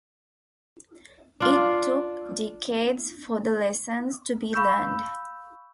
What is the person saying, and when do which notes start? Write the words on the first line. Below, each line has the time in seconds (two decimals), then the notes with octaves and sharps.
It took decades for the lessons to be learned.
1.40 D4 F4
4.53 F5 B5 C#6 E6 G6